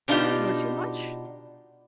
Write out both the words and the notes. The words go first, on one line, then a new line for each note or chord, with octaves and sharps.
Does it hurt you much?
B2 D4 D#4 F4 G4